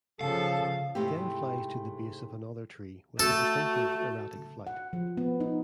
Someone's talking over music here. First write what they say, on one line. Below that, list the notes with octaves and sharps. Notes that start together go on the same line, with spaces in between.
It then flies to the base of another tree with a distinctive erratic flight.
C#3 F3 A4 F5 A5
G#2 C3 A3 C4 E4 G4
A3 F#4 A4
F#5
F3
B3
D#4